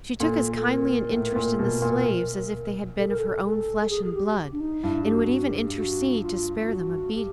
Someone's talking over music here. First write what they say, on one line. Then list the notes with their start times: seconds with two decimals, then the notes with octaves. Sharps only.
She took as kindly an interest in the slaves as if they had been of her own flesh and blood, and would even intercede to spare them a beating.
0.20 A#2 A4
0.55 A4
0.66 A#4
1.13 A2
1.36 A#2
1.59 B2
1.82 A#2
2.98 A4
3.08 A#4
3.19 A4
3.45 A4
3.81 A4
3.90 G#4
4.05 G#4
4.14 G4
4.52 D4
4.60 D#4
4.83 G2 E4
5.04 G4
5.14 F#4
5.45 G4
5.75 F#4
6.22 F4
6.57 F4
6.68 F#4
7.14 G4